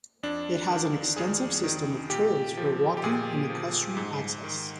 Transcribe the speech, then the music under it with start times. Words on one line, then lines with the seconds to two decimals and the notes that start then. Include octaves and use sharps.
It has an extensive system of trails for walking and equestrian access.
0.23 F2 D4
0.70 D#3
1.16 F2 G#4
1.64 D#3
2.10 A#2 G4
2.57 F3
2.97 G4
3.04 A#2 G#4
3.50 F3
3.97 G#2
4.44 D#3